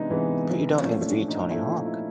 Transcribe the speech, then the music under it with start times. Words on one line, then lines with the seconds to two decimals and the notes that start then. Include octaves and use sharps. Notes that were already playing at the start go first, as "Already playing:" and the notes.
But, you don't need to be Tony Hawk.
Already playing: C3 E3 G#3 B3 D4 D#4
0.10 C3 E3 G#3 B3
0.80 A#2 F3 A3 C#4
1.04 D4
1.28 D#4
1.50 A#2 F3 A3 E4
1.69 D#4
1.86 E4